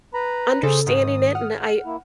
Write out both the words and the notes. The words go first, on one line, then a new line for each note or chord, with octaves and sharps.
Understanding it and I
B4 A#5 B5
C#3 G#4 A4 C5
G#2 D#3 D#6
F#5 F6
A#3 E4